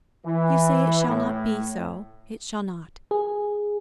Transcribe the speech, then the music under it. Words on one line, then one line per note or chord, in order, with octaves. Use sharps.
If you say it shall not be so, it shall not.
E3
A2
G#4